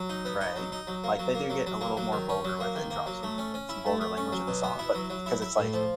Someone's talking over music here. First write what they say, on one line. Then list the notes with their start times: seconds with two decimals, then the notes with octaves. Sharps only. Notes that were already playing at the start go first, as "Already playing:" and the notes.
right? Like they do get a little more vulgar with it and drop some some vulgar language in the song. But 'cause it's like
Already playing: F#3
0.09 D#4
0.25 B3
0.41 D#4
0.56 F#3
0.72 D#4
0.87 F#3
1.04 A#3
1.19 F#3
1.35 A#3
1.50 F#3
1.66 F#3
1.81 A#3
1.97 F#3
2.12 D#3
2.29 C#4
2.44 F#3
2.60 A#3
2.75 D#3
2.91 A#3
3.06 F#3
3.23 A3
3.38 C#4
3.54 C#4
3.69 E4
3.86 A3
4.01 A3
4.17 C#4
4.32 F#3
4.48 B2
4.63 B3
4.79 E4
4.95 F#3
5.10 F#3
5.26 E4
5.42 E4
5.57 A2
5.73 F3